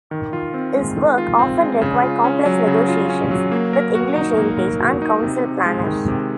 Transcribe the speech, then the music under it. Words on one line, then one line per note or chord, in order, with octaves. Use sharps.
His work often required complex negotiations with English Heritage and council planners.
D#3
F4
C4
G#3
D#3
F4
C4
G#3
C#3
F4
C#4
F#3
C#3
F4
C#4
F#3
A#3
A#4
F#4
D#4
A#3
A#4
F#4
D#4
C3
C3
G#3
D#3
C3